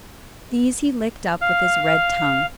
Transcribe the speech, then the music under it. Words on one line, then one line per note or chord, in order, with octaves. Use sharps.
These he licked up with his red tongue.
F5 F6